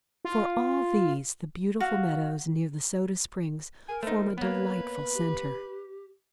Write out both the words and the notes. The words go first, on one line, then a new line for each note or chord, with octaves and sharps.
For all these the beautiful meadows near the Soda Springs form a delightful center.
F4
F#4 F5
A#4 G#5
A3 D#4 C5
A#3 B3 B4 C#5
G4